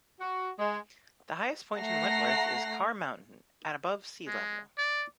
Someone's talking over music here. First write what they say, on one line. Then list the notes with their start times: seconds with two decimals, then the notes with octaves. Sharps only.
The highest point in Wentworth is Carr Mountain, at above sea level.
0.20 F#4
0.59 G#3
1.80 A3 F#5 A#5 A#6 C7
4.27 G#3
4.78 D5